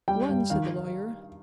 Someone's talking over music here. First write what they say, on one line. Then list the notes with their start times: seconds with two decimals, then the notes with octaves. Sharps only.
"One," said the lawyer.
0.08 G3 G5
0.29 G2
0.50 D#3 F5